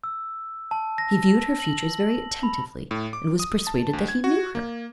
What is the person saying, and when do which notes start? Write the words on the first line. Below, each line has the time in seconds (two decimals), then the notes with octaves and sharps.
He viewed her features very attentively, and was persuaded that he knew her.
0.04 E6
0.71 A5
0.98 A#6
1.60 F#7
2.43 B5
2.91 A2
3.13 D6
3.40 D#6
3.67 A5
3.93 D2
4.08 G#6
4.24 F#4
4.55 A#3